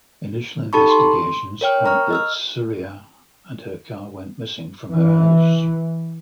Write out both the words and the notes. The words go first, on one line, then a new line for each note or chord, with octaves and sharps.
Initial investigations point that Surya and her car went missing from her house.
D#4 G4 A4 A5 B5 C#6
C6
A#4 C#5 G5 F6
A#4 A#5 C#6 F6
D#5 E6 F6
E3